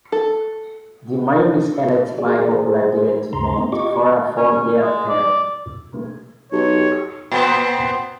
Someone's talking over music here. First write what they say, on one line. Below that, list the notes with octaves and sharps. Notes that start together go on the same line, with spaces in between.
The Mayor is elected by popular direct vote for a four-year term.
A4
F#4 G#4 D5
G#4 C5
D2 G2 C#3 A#5 C6
A#3 C4
F4 G4 D#5 C#6 D6
C#4
C#4
G#3
D5
B1 G4 C#5
A#2 B3 C4